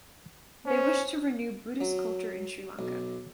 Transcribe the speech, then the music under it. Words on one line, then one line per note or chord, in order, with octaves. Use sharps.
They wished to renew Buddhist culture in Sri Lanka.
C#4 C5
F#3
B1